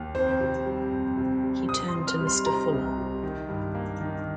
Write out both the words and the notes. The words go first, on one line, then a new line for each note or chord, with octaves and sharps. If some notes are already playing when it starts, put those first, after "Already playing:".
He turned to Mr. Fuller.
Already playing: D#2
F2 C5
C3
G3
F2
C3
G3
C3 D#6
C6
C3
F6
G3
C6
C3 A#5
C2
C3
D#3
G2
A#3
D#3